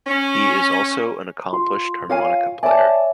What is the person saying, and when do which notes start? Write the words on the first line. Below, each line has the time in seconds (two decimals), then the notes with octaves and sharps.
He is also an accomplished harmonica player.
0.07 C#4
1.53 F4 C6
2.10 F4 C#5 F5 G#5
2.63 C#5 D5 E5 G#5 A5